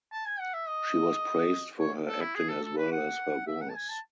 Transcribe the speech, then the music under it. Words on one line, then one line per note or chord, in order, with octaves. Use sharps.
She was praised for her acting as well as her voice.
A5
G#5
F#5
E5
D#5
C#5
A4
E4
G#4
A4
A4
B4
F#5
E5
F#5
A5
G#5
A5